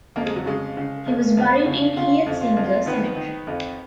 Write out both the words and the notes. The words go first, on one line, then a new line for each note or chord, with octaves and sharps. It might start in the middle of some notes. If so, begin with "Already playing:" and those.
He was buried in Hietzinger cemetery.
F2 A#3
G#3
F#3
C#3 G#3
C#3
F2
F2
C#3
C#3 F4
F2
F4
F2
F4
D#3 B3
D#3
F2